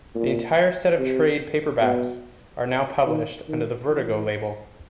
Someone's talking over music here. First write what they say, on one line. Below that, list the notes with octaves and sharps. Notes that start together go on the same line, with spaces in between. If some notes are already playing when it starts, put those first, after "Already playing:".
The entire set of trade paperbacks are now published under the Vertigo label.
A#2
C3
B2
D#3
D#3
E3